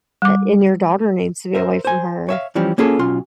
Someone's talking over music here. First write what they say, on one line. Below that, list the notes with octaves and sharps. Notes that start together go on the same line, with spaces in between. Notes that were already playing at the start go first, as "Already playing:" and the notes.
a and your daughter needs to be away from her.
G3 D6
A#4 C5 E5
C5 G#5
C#5 E5 F5
E3 F3 G3 C#4
A#3 C#4 F4 G#4 A4
B1 C#4 F4 C6